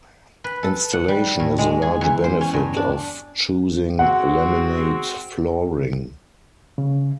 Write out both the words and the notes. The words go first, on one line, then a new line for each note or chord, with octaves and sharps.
Installation is a large benefit of choosing laminate flooring.
B4
A4
F#5
G3
A2
G#3
G#4
E2
C5
C#4
G2
D4
G#3 C4 F#4 F#5
C#3